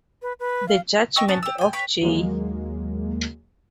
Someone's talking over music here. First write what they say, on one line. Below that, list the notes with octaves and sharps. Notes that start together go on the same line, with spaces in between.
The judgment of J.
B4
B4
F5
D#5 G5 C#6 E6
B3 C#4 F#4 A5
G4 E6
G5 G#5
B4 C#5 G5 B5
D#2 F#3 G#3 A#3